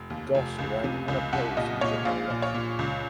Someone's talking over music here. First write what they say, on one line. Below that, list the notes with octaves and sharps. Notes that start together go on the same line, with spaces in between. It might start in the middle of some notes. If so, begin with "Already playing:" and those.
Goss ran unopposed in the general election.
Already playing: F1
D#2
F1
C#2
C3
C#2
C2 F#5
A#2 D#5
A#2 C#5
A#1 F5
A#2
C#5
A#2
C#2